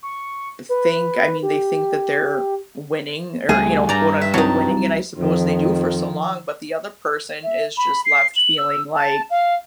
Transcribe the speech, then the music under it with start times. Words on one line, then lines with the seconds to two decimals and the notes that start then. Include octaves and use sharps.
think, I mean, they think that they're winning or, you know, quote, unquote, "winning," and I suppose they do for so long, but the other person is just left feeling like
0.03 C#6
0.69 B4
1.43 G4
3.49 C#2 G3 A3 G#4
3.89 G2 D5 A#5
4.21 E5
4.34 C2 F#3 D#4 A5
5.18 F2 D#3 F3
7.43 E5
7.77 B5
8.05 C7
8.36 F#7
8.58 E6
8.95 A5
9.30 F5